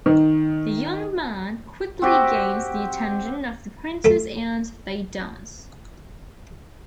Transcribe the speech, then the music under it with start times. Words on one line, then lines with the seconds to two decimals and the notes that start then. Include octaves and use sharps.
The young man quickly gains the attention of the Princess and they dance.
0.06 D#3
2.02 C4 F#4 G4
4.04 A3 A4